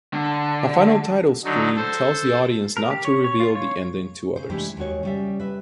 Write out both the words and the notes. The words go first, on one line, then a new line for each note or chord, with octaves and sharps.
A final title screen tells the audience not to reveal the ending to others.
D3
D3 F#3 D#4
A4 C5
A#4
G4
C#5
C#5
F4
C#5
C#3 C5
C3 E3 G#3 A3 D4 G4
D#2 G#3 F#4 C#5
C#3 G3 E5
B4 E5